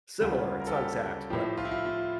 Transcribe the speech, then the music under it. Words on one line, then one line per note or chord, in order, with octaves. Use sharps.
similar, it's not exact, but
D2 C#3 G3 F4
A#4
A4
G4
A2 F3 G4
F4
E4
F4
F4